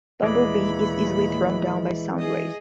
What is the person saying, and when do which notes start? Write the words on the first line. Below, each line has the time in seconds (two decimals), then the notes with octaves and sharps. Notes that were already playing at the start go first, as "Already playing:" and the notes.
Bumblebee is easily thrown down by Soundwave.
0.23 D#2 A#2 E3 G#3 D5 B5
2.19 G#4 D#5